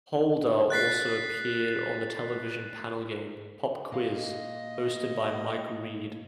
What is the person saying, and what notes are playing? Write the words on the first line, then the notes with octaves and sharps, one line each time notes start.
Holder also appeared on the television panel game Pop Quiz, hosted by Mike Read.
F#6 A6 B6 C7
A#2 D#5 F5